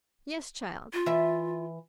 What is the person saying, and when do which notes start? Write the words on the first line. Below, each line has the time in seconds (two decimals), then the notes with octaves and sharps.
Yes, child.
0.93 F4
1.06 E3 E5